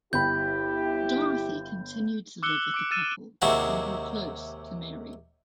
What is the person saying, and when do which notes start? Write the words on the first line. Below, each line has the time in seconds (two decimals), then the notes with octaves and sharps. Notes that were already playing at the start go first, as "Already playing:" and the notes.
Dorothy continued to live with the couple and grew close to Mary.
0.13 G1 E4 G4 G5 B5 G6
2.43 D6 E6 F#6 C#7 G7
2.74 D6 D7
2.91 E6 F6 A6 D#7 E7
3.42 D#2 C3 G#3 E4 F#4